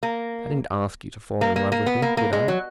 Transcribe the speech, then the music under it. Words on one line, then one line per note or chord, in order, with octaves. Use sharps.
I didn't ask you to fall in love with me, did I?
A#3
A#3
A#3
A#3
B3
A#3
A#3
G#3
F#3